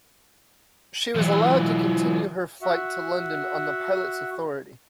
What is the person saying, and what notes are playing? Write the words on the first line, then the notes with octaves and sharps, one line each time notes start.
She was allowed to continue her flight to London on the pilot's authority.
E3 F#3
F#4 E5 F#5